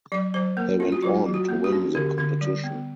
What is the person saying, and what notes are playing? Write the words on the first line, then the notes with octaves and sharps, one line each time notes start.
They went on to win the competition.
F#3 D5
F#3 C5
A#3 A#4
C#4 F4
F#4
F#3 F4
F#3
F#4
A#3
F#4
C#4
D3 G4
D3
G3
B3